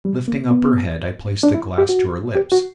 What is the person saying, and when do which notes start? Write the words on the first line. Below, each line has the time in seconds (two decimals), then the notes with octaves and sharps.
Lifting up her head, I placed the glass to her lips.
0.05 G3
0.28 A#3
0.51 B3
1.43 D4
1.54 E4
1.78 G4
1.89 F#4
2.35 G4
2.52 F#4